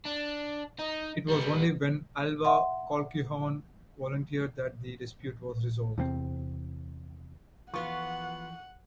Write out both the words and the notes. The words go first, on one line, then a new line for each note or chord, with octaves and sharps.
It was only when Alva Colquhoun volunteered that the dispute was resolved.
D4
D#4
G3 B3
E5 F#5 C6
E2 C3 B3 C4
E3 F3 B3 F4 F#5 C#6